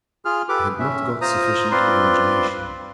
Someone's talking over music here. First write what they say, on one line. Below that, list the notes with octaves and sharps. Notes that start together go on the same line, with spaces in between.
I had not got sufficient imagination.
F4 G#4 F6
G4 A4 B4 D6
C#4 E5
F4 C5 A#5 D#6
C4 F4 B4 D5 C6